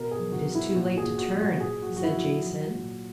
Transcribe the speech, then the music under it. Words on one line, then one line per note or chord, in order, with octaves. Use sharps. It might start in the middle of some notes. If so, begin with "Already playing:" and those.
"It is too late to turn," said Jason.
Already playing: B2 A#4
G#4
F#3
F#4
F#3
E4
A#2 F#4
G#4
A#2
F#4
F#3
F#4
A#2 G#4
F#4
F#3
F#4
E4
F#3
F#4
F#3
A#2